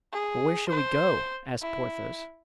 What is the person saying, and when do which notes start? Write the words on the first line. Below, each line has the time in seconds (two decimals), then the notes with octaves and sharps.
"But where shall we go?" asked Porthos.
0.13 G#4
0.69 C5
1.62 E4